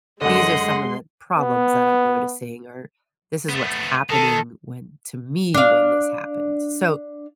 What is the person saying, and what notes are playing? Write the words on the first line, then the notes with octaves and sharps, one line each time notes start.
These are some of the problems that I'm noticing, or this is what's happening when to me when this happens." So,
F#2 D3 G#3 D#5 F#5 C6
B3
A3 B3
D#3 A4
D4 F5